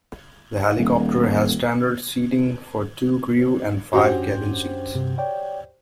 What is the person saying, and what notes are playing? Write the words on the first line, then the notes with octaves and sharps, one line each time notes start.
The helicopter has standard seating for two crew and five cabin seats.
D#1
F#2 C#4 D4 F#4 G4 C5
G2 C3
C#5 D5 G5